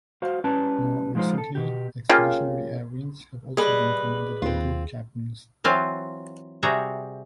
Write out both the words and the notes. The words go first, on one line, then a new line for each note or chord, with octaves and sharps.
More recently, expeditionary air wings have also been commanded by group captains.
F#4 C5 F5
G3 C#4 E4 B4 A5
F3 G#3 D#4 F4 C5
A4
B2 G4
C#3 A#3 F4 G4
G3 G#4 B4 D#5 F#7
D#2 C4 F4
E3 F#3 C4 F4 F5
C3 G3 F#4 G#4 E5 A#5